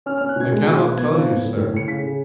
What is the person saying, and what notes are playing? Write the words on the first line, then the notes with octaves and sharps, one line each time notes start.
"I cannot tell you, sir."
C#4 F6
F6
C#4
F#6
B2 G#6
G#3
B2
B2
B3 G#6
F3
B3
A2
A2
A2 C#7
C#3 B6
C#3